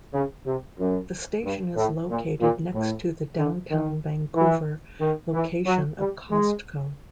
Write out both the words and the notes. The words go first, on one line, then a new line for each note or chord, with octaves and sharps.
The station is located next to the Downtown Vancouver location of Costco.
C#3
C3
F#2
G2
A2
A#2
A#2
A2
D3
D#3
E3
D#3
E3
F#3
G3
G#3